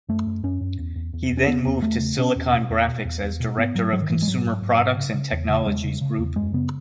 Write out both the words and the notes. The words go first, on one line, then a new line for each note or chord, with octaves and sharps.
He then moved to Silicon Graphics as director of Consumer Products and Technologies Group.
F#2 A3
F#2
F#2 C#4
F#2
E2
E2
E2
E2
C#4
C#3 B3
E2
E2 A3
C#3
B2 C#4
E2
B2
E2
B2
E2
E2
B2
G#2 B3
G#2 F#3
G#2 F#3
D#3
G#2 E3
G#3
G#2 F#3
G#2
G#2
G#2
C#3
C#3
E2
C#3
E2 G#3
C#3
C#3
E2
F#2 G#3
C#3 B3